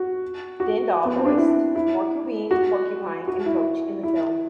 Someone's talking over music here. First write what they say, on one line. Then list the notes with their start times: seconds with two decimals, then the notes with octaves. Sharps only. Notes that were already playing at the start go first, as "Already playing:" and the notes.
Dindal voiced Morkubine Porcupine and Coach in the film.
Already playing: F#4
0.60 F#4
1.05 B3
1.16 C4
1.26 D4
1.37 E4
1.75 E4
2.51 F#4
3.27 F#4
3.46 E4
4.03 E4